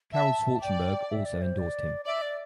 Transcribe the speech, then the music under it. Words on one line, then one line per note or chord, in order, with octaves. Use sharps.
Karel Schwarzenberg also endorsed him.
E5 A5
D5 G5
E5
D5
C5
D5
D5 E5
D5